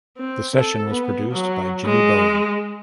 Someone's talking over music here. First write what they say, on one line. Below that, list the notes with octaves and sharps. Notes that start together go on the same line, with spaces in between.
The session was produced by Jimmy Bowen.
C4
A4
B3
F#3
G#3